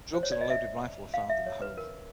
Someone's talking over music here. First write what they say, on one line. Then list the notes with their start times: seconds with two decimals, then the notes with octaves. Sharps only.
Drugs and a loaded rifle were found in the home.
0.14 C5
0.23 C#5
0.32 D5
0.41 D#5
0.50 E5
1.14 F5
1.30 E5
1.46 C#5
1.62 B4
1.77 A#4